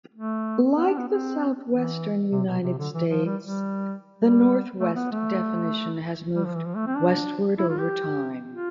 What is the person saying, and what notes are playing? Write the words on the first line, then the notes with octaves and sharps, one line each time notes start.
Like the southwestern United States, the Northwest definition has moved westward over time.
A3
B3
D4
B3
C4
E3
C3
B2
C3
D3
E3
F3
G3
G3
G3
A3
B3
A3
G3
F3
E3
F3
A3
C4
D4
E4
F4
G4
F4